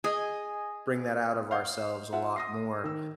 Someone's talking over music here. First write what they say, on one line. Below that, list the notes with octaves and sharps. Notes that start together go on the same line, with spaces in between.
bring that out of ourselves a lot more,
G#4 D#5 G#5
F5 F#5 G6
F4 E5 F#5
D#6 A#6 C7
D#3 E6